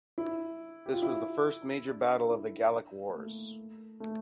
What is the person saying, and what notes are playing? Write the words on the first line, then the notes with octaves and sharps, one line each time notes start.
This was the first major battle of the Gallic Wars.
E4
G4
F4
E4
D4
E4
A#3
A3
A3